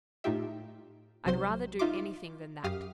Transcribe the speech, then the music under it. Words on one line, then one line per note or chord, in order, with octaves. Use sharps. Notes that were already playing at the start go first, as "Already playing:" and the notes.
'I'd rather do anything than that.'
A2 D#4 F4 G4 E5
B1 C3 F#3 C5 C6
D#4 F4 E5 C6 D6
F#2 G4 F5 D#6 F6